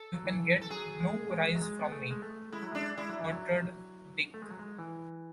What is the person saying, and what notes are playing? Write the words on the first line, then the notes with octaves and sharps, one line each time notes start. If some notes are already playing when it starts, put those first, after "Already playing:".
"You can get no rise from me," muttered Dick.
Already playing: A4
F#3
E3
A4
F#3 G#4
G#3
G#3
F#3
G#3
B3
A3
G#3
A3
G#3 E4
F#3
G#3 D4
G#3 E4
F#3
E3
F#3
A3
G#3
F#3
G#3
E3